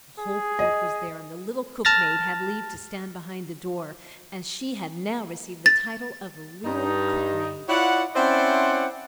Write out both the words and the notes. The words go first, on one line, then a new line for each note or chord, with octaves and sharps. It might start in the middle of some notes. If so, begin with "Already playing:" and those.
The whole court was there, and the little Cook-maid had leave to stand behind the door, as she had now received the title of a real cook-maid.
G#4
D#5
A5 F6 A6 A#6
A6
G2 D#4
E4 F4 C#5 D5 F#5
C4 C#4 E4 C5 D5 F#5